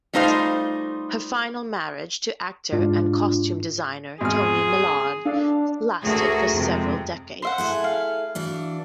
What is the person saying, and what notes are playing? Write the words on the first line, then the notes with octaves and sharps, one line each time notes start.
Her final marriage, to actor and costume designer Tony Millard, lasted for several decades.
G3 A3 D#4 F4 C5 F5
G#2 D4 F4
G#1 E2 G#4 F6
D4 A4 F5
D2 A3 F#4 G#4 A#4
F2 C3 G#3
C5 E5 F#5
A3 E4 G#4
F5
E3 D4 F#4